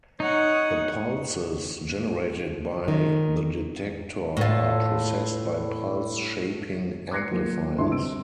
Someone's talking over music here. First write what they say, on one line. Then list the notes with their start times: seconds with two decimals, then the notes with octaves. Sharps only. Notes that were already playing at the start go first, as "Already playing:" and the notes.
The pulses generated by the detector are processed by pulse-shaping amplifiers.
0.20 D#4 C#5 F#5
2.88 D#3
4.37 A2 F4
7.11 D6 F#6 G#6 A#6 C7 C#7
7.31 F#3 A#3 F4
7.78 G1 D3 G3 D4 E4 C6
7.91 C3 E6 D7